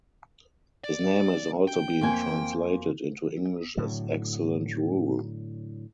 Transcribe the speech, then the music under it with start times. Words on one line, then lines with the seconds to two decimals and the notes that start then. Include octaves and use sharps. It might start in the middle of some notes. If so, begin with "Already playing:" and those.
His name has also been translated into English as Excellent Rule.
0.84 D5
1.68 G5
2.01 F2 A#3 G#5
3.77 A2 D3 F#3